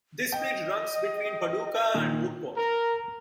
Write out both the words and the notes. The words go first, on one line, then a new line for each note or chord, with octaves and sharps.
This bridge runs between Paducah and Brookport.
D#5 G5
A#2 D#3
A#4